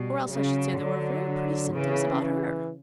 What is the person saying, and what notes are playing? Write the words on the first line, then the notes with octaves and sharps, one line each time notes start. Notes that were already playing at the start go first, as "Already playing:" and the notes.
Or else I should say there were very pretty symptoms about her!'
Already playing: B2 G3
C#3 F#3
D3
C#3 E3
E3